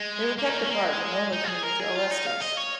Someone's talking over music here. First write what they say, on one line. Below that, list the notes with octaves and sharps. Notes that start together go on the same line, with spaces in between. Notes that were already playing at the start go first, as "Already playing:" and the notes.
They were kept apart when Lola came into oestrus.
Already playing: G#3
A#3
D#4
C#4
A#3
G#3
D#4
F4
G#4
A#4
G#4
F4
D#4
F5
D#5
C#5